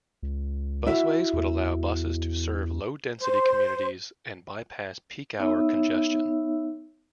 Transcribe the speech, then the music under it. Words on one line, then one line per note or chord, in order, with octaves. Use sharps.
Busways would allow buses to serve low-density communities and bypass peak hour congestion.
C#2
E4 F#4 E5
E2
C5
B3 D#4 C#5 E5 E6